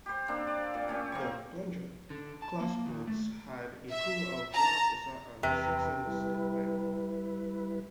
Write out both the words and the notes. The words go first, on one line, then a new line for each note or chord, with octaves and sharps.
The "Plunger"-class boats had a crew of one officer and six enlisted men.
G4 C5
A#3 C4 D4
D5
A#2
A3 C#4 G4
A#3 C4 C#6
D3
A5
A#3
D#2
A3
E5
A5 A#5
E2 C3 B4 A#5
G3 E4 B4